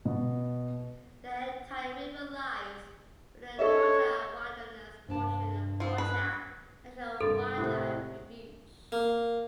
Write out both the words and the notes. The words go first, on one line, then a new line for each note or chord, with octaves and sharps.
The entire river lies within the Togiak Wilderness portion of Togiak National Wildlife Refuge.
B2
A4 C#5 D#5 E5
G2 C3 D4 A5
F3 C4
C#4 B4
G2 C3 A4 A#4 C6 A6
A2 C3 F#5 D#6 F#6
A#3